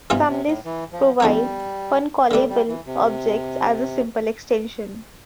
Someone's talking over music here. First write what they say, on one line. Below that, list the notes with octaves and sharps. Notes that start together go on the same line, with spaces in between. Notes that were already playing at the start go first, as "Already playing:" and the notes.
Some Lisps provide "funcallable" objects as a simple extension.
G2 C3 E3 G3 B3 F4
C3
A2
E3
F3
E2 D3 F3 G3 B3
D3 G3 A3 D4
G3
E3
C3